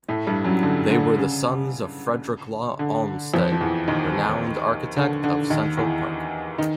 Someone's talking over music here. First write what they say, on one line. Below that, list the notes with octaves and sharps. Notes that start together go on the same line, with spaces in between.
They were the sons of Frederick Law Olmsted, renowned architect of Central Park.
A2 A3
G2 G3
F#2 F#3
D3
D3
C#3
D3
F2 F3
F3
E2 E3
D#2 D#3
D3
D3
D#2 D#3
E2 E3
D#3